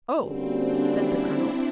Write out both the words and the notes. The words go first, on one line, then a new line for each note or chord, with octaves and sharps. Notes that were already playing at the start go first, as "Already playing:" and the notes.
"Oh!" said the colonel.
D3 G3 A#3 C4 C#4 F#4
D4
E4